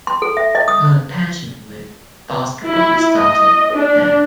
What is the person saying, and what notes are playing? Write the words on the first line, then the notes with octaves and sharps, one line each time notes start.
Her passion with basketball started there.
C6
A4
E5
D#5
D#6
E4
D#5
D4